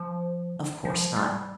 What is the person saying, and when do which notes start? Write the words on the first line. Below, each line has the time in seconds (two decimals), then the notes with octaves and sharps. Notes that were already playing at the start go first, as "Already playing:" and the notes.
Of course not!
Already playing: F3
0.85 F3
1.16 G3